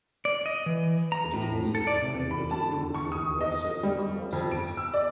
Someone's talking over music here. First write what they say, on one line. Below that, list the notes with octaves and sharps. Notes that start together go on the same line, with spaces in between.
It is believed to pay little to progressive causes.
D5
D#5
E3
A#5
A2
A4
D5
C3
B5
A5
D3
C#6
D#6
D#5
G3
F2
D7
E6
D5